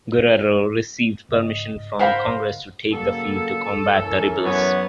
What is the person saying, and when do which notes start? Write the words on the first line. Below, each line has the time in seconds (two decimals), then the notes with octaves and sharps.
Guerrero received permission from Congress to take the field to combat the rebels.
1.29 C#2 G#2 D#5
1.99 A#4 C5 F5 F#5 B5
2.91 C#3 F#3 A#3 A4
4.01 E3 C#4 A#4
4.45 F#2 B3 C#5